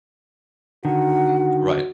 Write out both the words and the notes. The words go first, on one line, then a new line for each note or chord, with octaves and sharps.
Mhm. Right.
D3 D#3 F#4 F#5